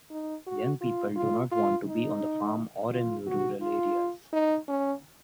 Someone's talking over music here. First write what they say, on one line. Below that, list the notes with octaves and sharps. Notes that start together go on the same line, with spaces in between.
Young people do not want to be on the farm or in rural areas.
D#4
F#4
F4
F4
F4
D#4
F4
F#4
F4
D#4
C#4